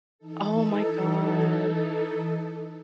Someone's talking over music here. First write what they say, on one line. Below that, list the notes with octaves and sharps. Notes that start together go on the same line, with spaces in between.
Oh my god.
E3 D#4 A4